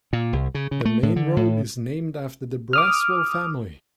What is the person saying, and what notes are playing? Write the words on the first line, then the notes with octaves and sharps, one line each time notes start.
The main road is named after the Braswell family.
A#2
C2
C#3
C#3
A3
A2
D3
A2
D6 D#6 F6